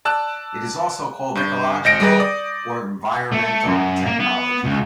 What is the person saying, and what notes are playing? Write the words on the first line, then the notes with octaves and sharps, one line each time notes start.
It is also called ecological or environmental technology.
D5 A5 E6 F#6
G2 G6
G#1 D#5 G6 A#6 C#7 D7
G3 G4 G#4 B4
D5 D6 D#6
A3
F#2
A#3
B3
C#2